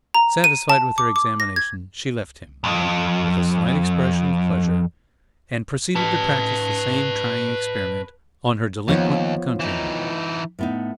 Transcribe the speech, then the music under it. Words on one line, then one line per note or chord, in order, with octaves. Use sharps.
Satisfied with her examination, she left him, with a slight expression of pleasure, and proceeded to practise the same trying experiment on her delinquent countryman.
A#5
D#7
A5
D6
D6
A#6
G#6
C2 F2
B4 A5
D#2 F3 B3 C#5
E3 D#4
A2 B3 D#4